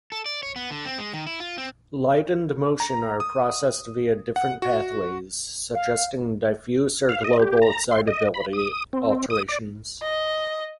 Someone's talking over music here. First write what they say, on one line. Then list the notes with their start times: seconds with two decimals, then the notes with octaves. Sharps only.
Light and motion are processed via different pathways, suggesting diffuse or global excitability alterations.
0.12 A4
0.26 D5
0.43 C#5
0.56 B3
0.71 D3
0.85 C4
0.98 G#3
1.14 D#3
1.27 E4
1.40 F4
1.58 C4
2.80 A#5
3.20 D#6
4.36 F#5
4.62 F#4
5.75 F5
7.09 F5
7.24 D#5
7.40 G4
7.62 A#5
7.91 C6
8.07 D#5
8.34 B5
8.53 D#6
8.93 C4
9.30 D#6
9.49 D5
10.02 D#5